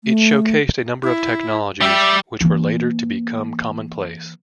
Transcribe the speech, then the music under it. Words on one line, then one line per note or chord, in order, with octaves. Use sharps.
It showcased a number of technologies which were later to become commonplace.
A3
E4
G3 G4 E5
E3 A#3